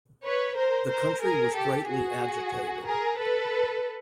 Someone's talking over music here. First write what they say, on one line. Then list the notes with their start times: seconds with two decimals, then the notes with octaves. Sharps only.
The country was greatly agitated.
0.24 B4 C#5
0.57 A#4 C5
0.89 A#4 C5
1.23 G#4 A#4
1.55 G4 A4
1.88 F#4 G#4
2.86 G#4 A#4
3.18 A4 B4